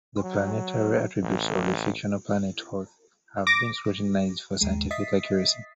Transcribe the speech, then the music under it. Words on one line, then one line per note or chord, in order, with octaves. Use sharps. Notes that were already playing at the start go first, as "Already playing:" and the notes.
The planetary attributes of the fictional planet Hoth have been scrutinized for scientific accuracy.
F#3
A1
D6 A#6
D#2 G#3
D#5 E5 D#6 A6 B6 C7